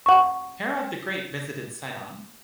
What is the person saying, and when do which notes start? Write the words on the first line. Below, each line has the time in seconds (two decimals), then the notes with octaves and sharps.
Herod the Great visited Sidon.
0.06 F#5 C#6